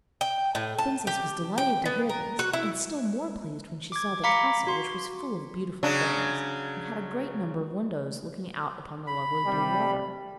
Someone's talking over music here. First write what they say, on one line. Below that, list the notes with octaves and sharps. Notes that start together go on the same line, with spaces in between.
The princess was delighted to hear this, and still more pleased when she saw the castle, which was full of beautiful things, and had a great number of windows looking out on the lovely blue water.
G5
A2
A5
G4
G5
B3
A#4
F#4
E4
D6 G#6
F5 A#5 B5 D6 B6 C#7
F#4 C6
C#3 F#3 D4
B5
C3 G3